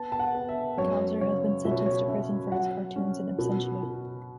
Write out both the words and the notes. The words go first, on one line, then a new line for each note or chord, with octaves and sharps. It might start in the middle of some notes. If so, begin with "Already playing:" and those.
Kowsar has been sentenced to prison for his cartoons in absentia.
Already playing: B3 A5
A5
F#5
B3
E5
F#2 C#5
C#3 C#5
B2 E5
C#5
C#5
C#4 E5
F#3 F#5
C#4
B2
B2